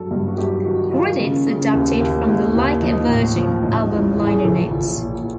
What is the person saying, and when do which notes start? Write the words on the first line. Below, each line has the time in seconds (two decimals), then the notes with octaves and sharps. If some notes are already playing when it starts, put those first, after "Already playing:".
Credits adapted from the "Like a Virgin" album liner notes.
Already playing: G2 F#3 A4
0.11 G2
0.28 F#4
0.38 F#3 G4
0.65 D#3 F#4
0.91 D#3 F4
1.19 C#3
1.46 C#3
1.73 D#2
2.00 D#2
2.27 D#2
2.55 D#2
2.82 F3 D#4
3.08 A2
3.36 F3
3.62 A2 D#4
3.90 A1
4.17 A1
4.24 G#4
4.45 A#1 A4
4.71 A#1
4.98 A#2